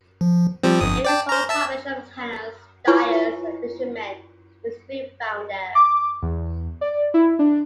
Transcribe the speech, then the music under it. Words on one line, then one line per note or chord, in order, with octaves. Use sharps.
Even the small population of tanners, dyers and fishermen is to be found there.
F3
F3 G3 C4
G1 F2 D#6
D5 G5 A5
C5 A#5
E5 A5 E6
E4 F4 B4 C#5 G#5 C#6
D6
E2
D5
E4
D4